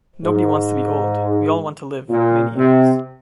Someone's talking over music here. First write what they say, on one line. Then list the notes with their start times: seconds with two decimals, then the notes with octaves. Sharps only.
Nobody wants to be old, we all want to live many years.
0.24 G#2
2.09 A#2
2.55 C3